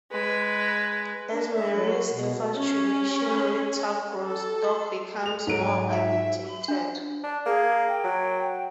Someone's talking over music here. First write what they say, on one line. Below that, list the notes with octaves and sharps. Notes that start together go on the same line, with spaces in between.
As Marie's infatuation with Turk grows, Doc becomes more agitated.
G#3 B4
D4
E5
F#3
F#4
B2
C#4
A4
F7
G#2 F#3 A4 D7
G#5
E5
D4
D4
A#3 G#4
G5
F#3